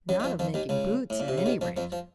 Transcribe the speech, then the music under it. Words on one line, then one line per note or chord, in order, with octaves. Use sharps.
'Not of making boots, at any rate!
F#2 F#3
D#3
F2 F3
F2 F3
D#2 D#3
C#2 C#3
A2
A#2
C3
C#3
D#2 D#3
F2 F3
F2 F3
F3